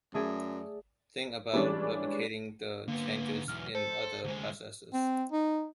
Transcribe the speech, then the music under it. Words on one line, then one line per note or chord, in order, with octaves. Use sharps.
Think about replicating the changes in other processes.
F#2 A3 G#4 D5
E3 G3 G#3 C#4 D4
D3 A#3 B3
B1 E2 F6
A4 C5
D2 G#3
C4
D#4